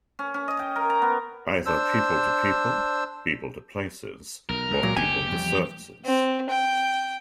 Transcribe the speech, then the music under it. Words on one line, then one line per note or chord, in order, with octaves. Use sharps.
Either people-to-people, people-to-places, or people-to-services.
C#4
C#4
D#5
G5
A#4
A#5
B3
D4 C5 E6
B1 A#4
C#2
A#2 F#3
F#1 D2 B2 G4 G#5
E2 F3 G3
C4
G5